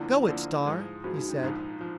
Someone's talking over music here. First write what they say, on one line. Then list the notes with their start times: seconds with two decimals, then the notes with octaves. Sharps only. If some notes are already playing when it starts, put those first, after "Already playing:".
"Go it, Star!" he said.
Already playing: D2 D3 F3 A#3 D4 E4
0.27 D2 D3 F3 A#3 D4
0.65 G#2 F3 G#3
1.04 G#2 F3 G#3 F#4
1.16 D#4
1.29 D4
1.42 A#1 G#2 F3 D#4
1.81 F3